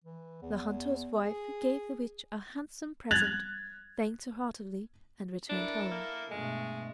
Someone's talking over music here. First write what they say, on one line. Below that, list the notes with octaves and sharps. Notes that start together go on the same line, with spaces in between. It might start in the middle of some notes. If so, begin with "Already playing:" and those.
The hunter's wife gave the witch a handsome present, thanked her heartily, and returned home.
E3
E2
G#4
F#6 G#6 A6 F7 F#7
D4 E4 A4 A#4
A#3
G2 B2 G#3 A3